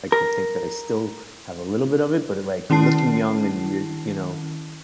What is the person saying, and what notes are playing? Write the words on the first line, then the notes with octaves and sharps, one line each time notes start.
like to think that I still have a little bit of it, but, like, you're looking young and you're, you know,
A#4
D#3 C#4 E4 A5 C7